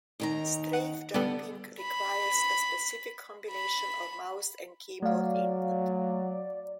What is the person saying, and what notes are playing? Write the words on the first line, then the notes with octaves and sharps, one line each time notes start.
Strafe-jumping requires a specific combination of mouse and keyboard input.
D#2 D#3 A#5
F#5
D3 G3 B3 A4
B5
B5
F#3 A3 D5 F5